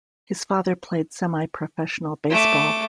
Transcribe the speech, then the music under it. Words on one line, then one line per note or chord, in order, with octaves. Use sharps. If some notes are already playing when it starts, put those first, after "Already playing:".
His father played semi-professional baseball.
A3 D6